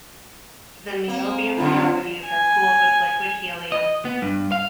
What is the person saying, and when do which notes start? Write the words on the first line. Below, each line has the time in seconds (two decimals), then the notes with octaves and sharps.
The niobium cavities are cooled with liquid helium.
1.08 A#3 C4
1.57 F#2 D3 F4
2.26 G#5
3.72 D#5
4.05 B3
4.22 G2
4.52 F5